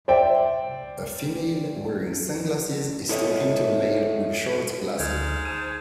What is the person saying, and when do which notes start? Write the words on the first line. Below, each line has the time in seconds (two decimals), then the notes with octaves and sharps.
A female wearing sunglasses is talking to a male with short glasses.
0.08 C5 D5 E5 G5
3.09 E4 A4 C#5 D#5 E5
4.99 D2 G#2 D3 F6
5.45 C5 G#5 A5